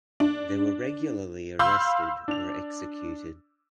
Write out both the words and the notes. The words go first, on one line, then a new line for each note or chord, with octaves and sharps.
They were regularly arrested or executed.
D4
F5 B5 C6 E6 G6
D4 F7